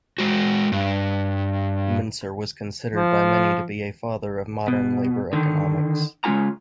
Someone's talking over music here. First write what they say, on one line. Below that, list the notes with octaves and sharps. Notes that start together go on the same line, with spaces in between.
Mincer was considered by many to be a father of modern labor economics.
G#3 F#4
G2
F3
B2
D3 D#3
C#3 G#3 C#4 F4 G#5 A#5